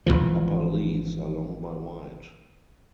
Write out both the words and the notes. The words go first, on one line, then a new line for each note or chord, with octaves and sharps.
Upper leaves are long by wide.
G#1 E2 E3 F3